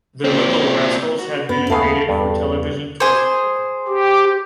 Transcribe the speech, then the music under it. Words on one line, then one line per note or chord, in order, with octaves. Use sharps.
"The Little Rascals" had been animated for television twice before.
A#2 C4
F#4
F#2 B3
D#2 A3 B3 G#4 A4 F5
E2 G2
G#4 C5
G4